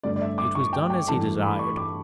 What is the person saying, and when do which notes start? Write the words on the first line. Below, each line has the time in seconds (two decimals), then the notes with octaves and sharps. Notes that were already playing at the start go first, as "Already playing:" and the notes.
It was done as he desired.
0.03 G2 D3 A3 D5
0.16 D5
0.21 E5
0.38 D6
0.55 C#6
0.73 G5
0.90 G5
1.07 G2 E3 A3 A5
1.43 B5
1.59 C#6
1.77 D6